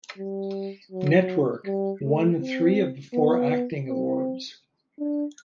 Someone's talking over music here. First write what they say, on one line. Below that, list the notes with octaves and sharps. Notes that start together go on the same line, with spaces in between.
"Network" won three of the four acting awards.
G3
F#3
G3
A3
C4
B3
C4
D4